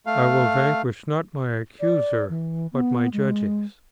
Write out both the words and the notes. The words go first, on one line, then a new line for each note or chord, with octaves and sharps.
I will vanquish, not my Accuser, but my judges.
A3 F5
D5
E3
B3
G#3